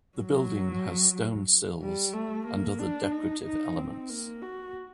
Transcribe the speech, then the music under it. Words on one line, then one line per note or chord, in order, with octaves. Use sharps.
The building has stone sills and other decorative elements.
F#3
G3
A3
A#3
D4
D#4
D#4
C4
A#3
F#4